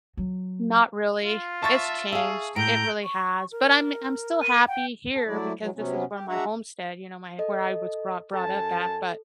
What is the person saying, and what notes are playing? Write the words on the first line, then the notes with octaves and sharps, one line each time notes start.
not really, it's changed, it really has, but I'm I'm still happy here because this is where my homestead you know, my where I was grot brought up at, but
F#3
F4
E5 A5 C#6 A6
G#4 E5 F5
A2 A#5 G6 D7
C#6
A#4
D#7
F#5 G5
A4
F#3 A3 E4 D5
E3 F#3 G#3
C3 F#3 B3 C#4
G4
G#3 D4 F#4 E5 F#5 A#5
A4 D#5
F#2 A4 G#5 A5